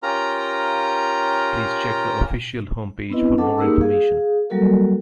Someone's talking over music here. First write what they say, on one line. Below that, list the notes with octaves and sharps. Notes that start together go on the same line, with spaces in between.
Please check the official homepage for more information.
C#4 F4 G4 A#4 A#5
B3 C4 D4 E4 B4 D#5
C#4 A4 D#5 F#5 A5 D6
A#3 D#4 G4 G#4 A#4 E6
G#4 F5
F#3 G3 A#3 F#4 A4 A#4